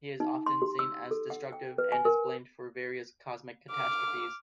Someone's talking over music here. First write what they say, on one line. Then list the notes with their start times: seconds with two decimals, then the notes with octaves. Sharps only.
He is often seen as destructive and is blamed for various cosmic catastrophes.
0.20 D#4
0.46 C6
0.62 G4
0.79 E6
1.11 A4
1.30 F#5
1.52 G5
1.78 B4
1.92 G#5
2.05 A#4
3.71 D6 F6